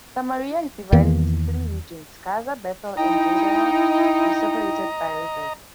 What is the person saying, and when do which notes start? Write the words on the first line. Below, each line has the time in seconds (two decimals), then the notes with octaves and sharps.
Samaria is divided into three regions, Gaza, Bethel and Jordana, separated by rivers.
0.92 E2 D#3 E3 A#3
2.97 D#4 E4 D#5 G5 A#5